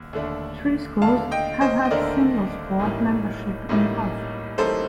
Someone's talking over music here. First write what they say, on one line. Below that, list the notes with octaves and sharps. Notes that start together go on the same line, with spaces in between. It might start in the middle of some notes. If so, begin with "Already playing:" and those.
Three schools have had single-sport membership in the past.
Already playing: D#2
D#2 D3 A3 D4
D#2 D3 A3 D4 F5 A5
D#5 G5
C5 D#5
D#5
D#2 D3 A3 D4 A#4 D5
A1 A2 G3 A#3 D#4
A1 A2 G3 A#3 D#4
A1 A2 G3 A#3 D#4 A4 C5